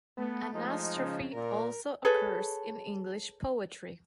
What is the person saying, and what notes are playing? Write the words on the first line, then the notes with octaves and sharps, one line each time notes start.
Anastrophe also occurs in English poetry.
A3 B3
F3 G#3 D#4
C#3
A#2 A#4
G#4 A4 B4 C#5